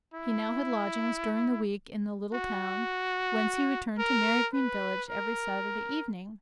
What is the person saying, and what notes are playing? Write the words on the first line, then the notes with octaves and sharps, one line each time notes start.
He now had lodgings during the week in the little town, whence he returned to Marygreen village every Saturday evening.
E4
F#4
A#4
B4
A#4